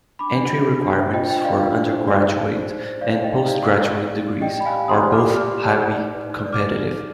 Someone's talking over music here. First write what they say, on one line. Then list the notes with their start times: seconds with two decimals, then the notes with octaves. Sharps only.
Entry requirements for undergraduate and postgraduate degrees are both highly competitive.
0.19 D4 B5 D6
0.35 D4
0.52 D4
0.67 D4
0.82 D4
0.99 C5
1.13 F4 D#5 G5
1.29 D4 D#5 G5
1.44 F4 D5 F5
1.60 D4
1.76 D4
1.91 C5
2.07 D#4 D5
2.23 D#4
2.38 D#4
2.55 C5
2.70 C5
2.85 C5
3.01 C5 D5 F5
3.16 D#4
3.24 D#5 G5
3.32 D#4
3.47 D#4 D5 F5
3.64 D#4
3.80 D#4
3.95 D5
4.11 D5
4.26 G4
4.41 D5 D#5 G5
4.58 D5 B5
4.65 F5 G#5
4.73 G4
4.88 G4 C6 D#6
5.04 D5
5.12 D6 F6
5.20 G4
5.35 D5 D6 F6
5.51 G4
5.67 D5
5.82 D5
5.98 D#4
6.14 B4
6.29 D#4
6.45 D5
6.52 D6 F6
6.60 D#4
6.77 D#4
6.92 D#4